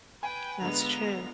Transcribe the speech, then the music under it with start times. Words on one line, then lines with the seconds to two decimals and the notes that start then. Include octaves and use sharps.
That's true.
0.23 B4 G5 G#5
0.61 D3 G#3 B3 F4 A#5 F7